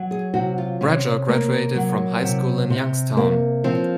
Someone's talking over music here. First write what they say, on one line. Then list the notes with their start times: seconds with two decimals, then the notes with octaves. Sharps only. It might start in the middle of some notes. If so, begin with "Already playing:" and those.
Bradshaw graduated from high school in Youngstown.
Already playing: F#3
0.11 G#4
0.34 C3 F#4
0.58 F4
0.81 C3 C#4
1.29 A#3
1.76 F#3
2.23 C3
2.70 C3
3.17 A#3
3.64 F3 C4